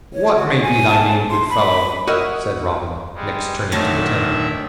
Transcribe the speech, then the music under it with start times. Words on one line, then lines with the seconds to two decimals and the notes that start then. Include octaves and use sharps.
"What may be thy name, good fellow?" said Robin, next, turning to the Tanner.
0.14 C#5
0.36 F#4
0.62 G#5
0.89 A5
1.30 C6
1.50 B5
2.07 F#4 A#4 C#5 D#5 E5
3.15 G3 G#3
3.72 A#2 D3 D#3 F#3 A3 E5